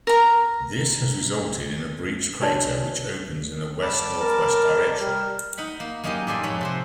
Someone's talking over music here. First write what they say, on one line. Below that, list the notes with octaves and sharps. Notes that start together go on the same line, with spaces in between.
This has resulted in a breached crater which opens in a west-northwest direction.
A#4 A#5
D4 F#4 C#5 D5 A5
G3 A5 D6
A#4
G3 A#4
D#4 F#5 B5
A#3
F#2 A#3 D#4 G4 G#4 D#5
A2 G4 A4 D5 G#5 C6
F2 G#3 C#5 B5
C3 F#4 C5